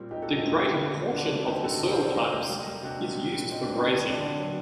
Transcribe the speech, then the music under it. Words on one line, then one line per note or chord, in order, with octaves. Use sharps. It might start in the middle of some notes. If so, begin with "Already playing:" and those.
The greater portion of the soil types is used for grazing.
Already playing: A#2 G3 C4
A#2 D#4 G4
F#4 A4
A#2
D#4 G4
A#3 C4 D#4
D3
D3
G3
D3 D4 F#4
A3
D3 D#4 G4
D3 F#4 A4
C3 G4 A#4
A4 C5
C3
A#4 D5
G3 C5 D#5
A#3 C5 D#5
G3
G3
C3 D4 F#4
G3
G3
A#2
A#2 C4 D#4
D4
A#3
C4 D#4
D3 D4
C4
D3
D4
D3
F#3